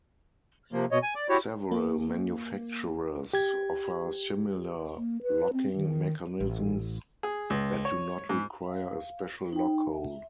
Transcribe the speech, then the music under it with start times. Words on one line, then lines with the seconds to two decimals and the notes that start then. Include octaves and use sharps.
Several manufacturers offer similar locking mechanisms that do not require a special lock hole.
0.73 C3 F3 A#3
0.92 B2 C#5 D#5
1.03 G#5
1.15 D5
1.29 E4 F#4 G4 C#5
1.71 A#3
3.33 G4 G#6
4.96 A#3
5.23 B4
5.53 C4
5.76 D#3
6.40 A1
7.23 G#4
7.50 C#2
7.85 C#5
8.29 G#2
8.66 F5
9.53 D#4 G5
9.92 E5